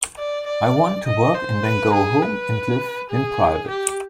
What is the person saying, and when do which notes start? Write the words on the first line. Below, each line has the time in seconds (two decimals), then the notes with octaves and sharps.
I want to work and then go home and live in private.
0.19 D5
0.47 D5
1.06 D#5
1.35 C5
1.64 B4
1.93 G#4
2.22 B4
3.10 G#4
3.68 G4